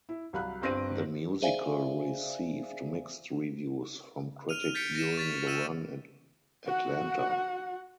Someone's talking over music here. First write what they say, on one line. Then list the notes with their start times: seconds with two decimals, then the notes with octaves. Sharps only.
The musical received mixed reviews from critics during the run in Atlanta.
0.09 E4
0.33 C2 F#3 F5 B5 F#6
0.62 G1 G2 C4 A#6 D7 D#7
1.42 G#4 C5 D5 E5 F5 G#5
4.49 F6 D#7 F7
4.74 G6 A6 B6 C#7 D7
4.95 A#6 C#7 D#7 E7
5.17 C#6 A6 B6
5.47 E6 A6 D#7 E7
6.66 F#4 F#5